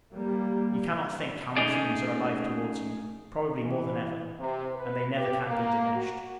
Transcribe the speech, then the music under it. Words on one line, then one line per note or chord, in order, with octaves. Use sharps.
You cannot think how my feelings are alive towards you; probably, more than ever: and they never can be diminished.
G3 A#3
A3 B3 C#4 D#4 G#4 D5
E3
C3
B4
G4
A#3
F#4